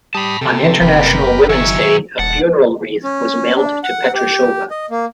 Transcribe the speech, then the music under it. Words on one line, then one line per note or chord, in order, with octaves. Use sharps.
On International Women's Day, a funeral wreath was mailed to Petrushova.
G3 A5 B5 D#6
C3 A4
F#1 G4 A#4 B4
D#3 F#3 E5 G#5 C#6
D#1 F#5 A5
C#4
D4
F#5
G4
D#5
A#3